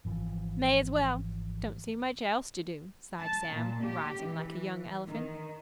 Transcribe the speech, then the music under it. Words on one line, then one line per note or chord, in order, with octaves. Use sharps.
"May as well; don't see much else to do," sighed Sam, rising like a young elephant.
G#1 E3 F3
A5
A#2
G4
E3
D#3